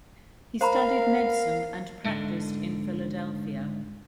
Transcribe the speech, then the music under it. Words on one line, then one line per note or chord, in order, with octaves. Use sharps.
He studied medicine and practiced in Philadelphia.
A#4 C5 F5 A#5 B5
G#2 D3